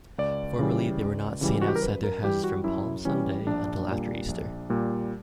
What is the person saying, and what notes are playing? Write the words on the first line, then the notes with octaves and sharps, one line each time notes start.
Formerly, they were not seen outside their houses from palm Sunday until after Easter.
C#2 D5
C#3 E3 G3
C#2
C#3 E3 G3
F#4
G4
A#4
F#2 B4
A#4
E3 G3 G4
F#4
F#2 E4
E3 G3 C#4
A#1 D4
A#2 G3
A#1
A#2 G3